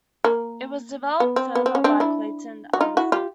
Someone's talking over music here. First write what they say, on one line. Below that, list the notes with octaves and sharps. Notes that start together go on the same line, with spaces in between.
It was developed further by Clayton Alderfer.
A#3
B3
C4
B3
C4
C#4
C4 D4
D4 E4
F#4
D#4 F4
E4 F#4
F4 G4